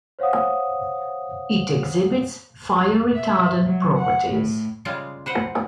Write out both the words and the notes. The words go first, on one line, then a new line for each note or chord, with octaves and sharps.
It exhibits fire-retardant properties.
C5 C#5 F5 F#5 D#6
E5
F#3
F#5
A2
C#3 G3 G#3 F4
B4 C5 F#5